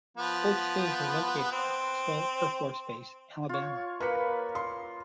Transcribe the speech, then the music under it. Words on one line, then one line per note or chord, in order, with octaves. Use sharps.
Both schools are located at Maxwell Air Force Base, Alabama.
F3 B3
C4
F4 C#5
A#3 B4 B5 C#7
C6